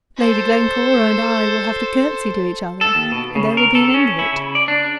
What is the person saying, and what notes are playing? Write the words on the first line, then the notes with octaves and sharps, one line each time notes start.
Lady Glencora and I will have to curtsey to each other, and there will be an end of it.
A4 C5
A4
D#2
B2
C#3
A#4
A4
C#4
E4
C#3
D5
D4